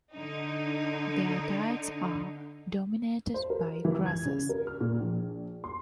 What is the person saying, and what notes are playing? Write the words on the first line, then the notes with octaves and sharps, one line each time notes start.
Their diets are dominated by grasses.
D3 D#4
C5
A#4
E3
G#6
C#3
A#4
F6
A#2
A#1
C6